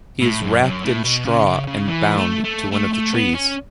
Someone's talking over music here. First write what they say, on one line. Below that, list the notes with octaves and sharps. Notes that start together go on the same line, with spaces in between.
He is wrapped in straw and bound to one of the trees.
A2
F#2
F#2
A2
B2
C#3
C#3
C#3
E3
A3
A3
A3
A3
B3
C#4